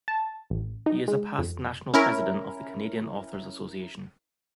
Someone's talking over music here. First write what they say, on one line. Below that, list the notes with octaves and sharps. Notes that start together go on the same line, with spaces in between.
He is a past National President of the Canadian Authors Association.
A5
A1
D#4
G#3
F2
C#4 E4 A#4